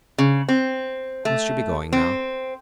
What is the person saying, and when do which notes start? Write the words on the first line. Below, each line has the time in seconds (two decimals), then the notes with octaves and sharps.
Must you be going now?
0.18 C#3
0.48 C4
1.25 A3
1.93 C4